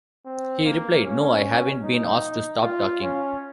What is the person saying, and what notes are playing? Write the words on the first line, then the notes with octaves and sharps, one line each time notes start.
He replied: No, I haven't been asked to stop talking.
C4
A#3
C#4
D#4
F4
C#4